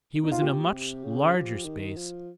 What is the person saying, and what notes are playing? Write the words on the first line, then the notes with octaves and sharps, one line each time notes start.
He was in a much larger space.
D#4
F4
A#2 G4
C3
A#2
C3
C#3
F3
D#3
F3